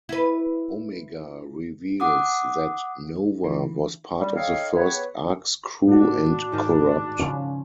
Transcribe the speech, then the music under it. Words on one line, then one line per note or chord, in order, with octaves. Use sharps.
Omega reveals that Nova was part of the first Ark's crew and corrupt.
E4 B4
F#5 D6 D#6
E3
G3
D#4 G4 A4 C#5 D#5 F5
B3 G4 G#4 B4 C#5
A2 D4 F#4
G#2 D#3
C#3 F3 C#4